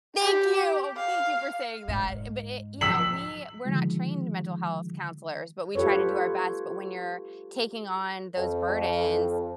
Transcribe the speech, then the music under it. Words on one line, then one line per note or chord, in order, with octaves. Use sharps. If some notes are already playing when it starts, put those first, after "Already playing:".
Thank you! Oh, thank you for saying that e but e You know, we we're not trained mental health counselors, but we try to do our best, but when you're taking on those burdens,
G4
F5
G#2
F3 F4 E6 B6 F#7
D3 D#3 F3 G#3
F4 G4 A4 B4 C#5
F2